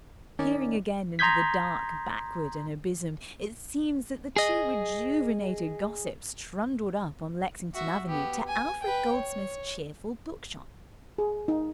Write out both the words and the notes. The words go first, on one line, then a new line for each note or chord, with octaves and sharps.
Peering again into the dark backward and abysm, it seems that the two rejuvenated gossips trundled up on Lexington Avenue to Alfred Goldsmith's cheerful bookshop.
D#3 C#4 D#4 D5
A#5 C6 D#6 G6 G#6 B6
G#4 D#5
F#4 E5
B3 G4
G#5
B4 G5
C#5
G#4
D#4